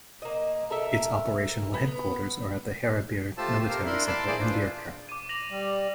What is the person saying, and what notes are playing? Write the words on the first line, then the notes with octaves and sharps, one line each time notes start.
Its operational headquarters are at the Haerebierg Military Center in Diekirch.
A#3 D#5
A4 A#4 E5
B3
A3 F4 G4 C5 A5 E6
C3 G4 A#4 C5 F5
D4 E4 A#4 E5 B5 C6
A5 B5 C6 D6 E6
E3 A#3 G#4 C5 D5
D4 F4 C5
D6 D#7
A#6 F7 F#7
G3